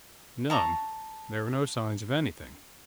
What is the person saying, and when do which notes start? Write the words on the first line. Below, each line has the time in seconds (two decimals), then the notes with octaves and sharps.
'None,--there were no signs of anything.
0.50 A5 A#5 C#6